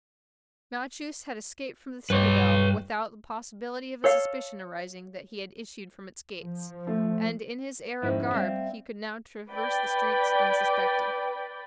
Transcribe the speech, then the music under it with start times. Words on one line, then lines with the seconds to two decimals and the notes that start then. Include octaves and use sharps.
Malchus had escaped from the citadel without the possibility of a suspicion arising that he had issued from its gates, and in his Arab garb he could now traverse the streets unsuspected.
2.10 G2 B4 C#5
4.04 A4 C#5 F5
6.41 F3
6.87 A3
8.02 F2 G#2 D#3 C#4 D#4 E4
8.34 G3 C4 D5 E5 F5
9.52 B4 D5 G5 B5